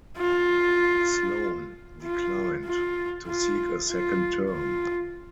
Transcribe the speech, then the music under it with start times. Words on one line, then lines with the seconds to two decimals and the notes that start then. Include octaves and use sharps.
Sloan declined to seek a second term.
0.17 F4
2.03 F4
2.65 F4
3.27 F4
3.89 F4
4.50 F4